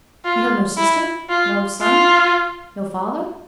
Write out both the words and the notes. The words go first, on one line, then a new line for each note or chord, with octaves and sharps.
"You have no sister--no son--no father?"
F4
E4
F4
F4